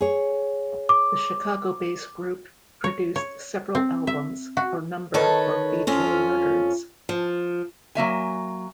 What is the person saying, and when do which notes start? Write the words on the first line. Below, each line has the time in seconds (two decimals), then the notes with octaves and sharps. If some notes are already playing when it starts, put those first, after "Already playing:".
The Chicago-based group produced several albums, a number for Vee-Jay Records.
0.01 G#4 C#5
0.89 D6
2.84 C#5
3.16 C#5
3.75 C4
4.07 E5
4.57 F#4
5.14 D#3 A4 B4 C#5
5.87 F2 C#4 F4
7.09 F3
7.95 F#3 A#3 E5 G#5